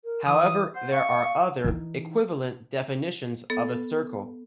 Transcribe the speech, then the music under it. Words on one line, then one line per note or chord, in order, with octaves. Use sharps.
However, there are other, equivalent definitions of a circle.
A#4
E3 D#6
C5 F#5
F5 C#6
E3 D#4
B3 A4